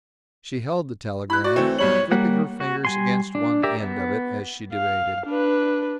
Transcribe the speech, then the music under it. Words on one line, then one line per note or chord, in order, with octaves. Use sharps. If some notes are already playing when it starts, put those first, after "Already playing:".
She held the telegram, flipping her fingers against one end of it as she debated.
E4 B5 F#6
F#4 D5
E3 A3 C4
B1 G3 C#5 F#7
G3 A#3 F#5
F#4
G3 G#5 C6
D4
G4 A#4 D5 E5
B3
F5
D4 B4